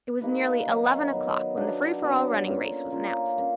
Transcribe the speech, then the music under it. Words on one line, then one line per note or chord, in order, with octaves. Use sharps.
It was nearly eleven o'clock when the free-for-all running race was announced.
A#3 D#4 G4 B4
D#3 F#3 B3
D#3 F#3 B3
F#3 B3 D4 F#4
F#3 B3 D4 F#4
A#3 C#4 F4 A4
A#3 C#4 F4 A4
A#3 C#4